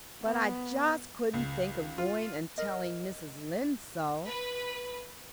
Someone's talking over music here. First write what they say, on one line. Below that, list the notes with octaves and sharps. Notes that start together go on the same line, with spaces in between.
But I just couldn't think of going and telling Mrs. Lynde so.
B3
C#2
F4
A#4 D#5
B4